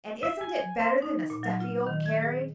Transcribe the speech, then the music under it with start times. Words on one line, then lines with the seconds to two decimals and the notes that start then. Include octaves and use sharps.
"And isn't it better than a stuffy old carriage?"
0.23 E5
0.41 G#5
0.80 C5
1.02 D#4
1.30 A#2
1.43 F#3
1.60 F4
1.87 D#3
2.06 G#6
2.23 G#4